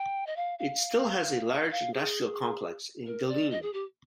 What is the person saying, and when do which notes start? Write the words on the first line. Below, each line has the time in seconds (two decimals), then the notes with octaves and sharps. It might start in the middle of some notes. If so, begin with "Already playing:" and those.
It still has a large industrial complex in Geleen.
Already playing: G5
0.27 D#5
0.36 F5
0.59 F5
1.72 F5
1.94 G#4
3.06 A#4
3.28 D5
3.51 D#5
3.62 G#4
3.73 G4